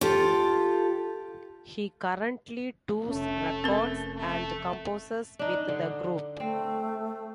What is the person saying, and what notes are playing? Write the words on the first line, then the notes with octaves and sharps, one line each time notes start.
He currently tours, records and composes with the group.
F4 G4 A4
F1 A3 C#4
C4 A#4
A3
D4 D#4
D3
A3 C4